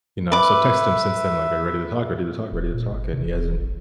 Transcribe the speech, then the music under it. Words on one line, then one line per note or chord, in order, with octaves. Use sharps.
you know, so, I've texted him since then, like, "Are you ready to talk? Ready to talk? Ready to talk?" and he hasn't
B4 E5 D6
D#1
A#2
G1
C3
D#1
G#1